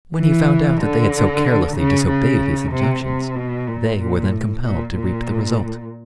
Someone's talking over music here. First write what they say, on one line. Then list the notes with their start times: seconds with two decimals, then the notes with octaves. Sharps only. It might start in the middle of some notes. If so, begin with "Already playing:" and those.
And when he found out that they had so carelessly disobeyed his injunctions, they were then compelled to reap the result.
0.17 E3
0.81 D3
1.76 C#3
2.08 C#3
2.71 C3
3.04 C3
3.35 B2
3.67 A#2
4.00 A#2
4.31 A2
4.63 A#2
4.96 A#2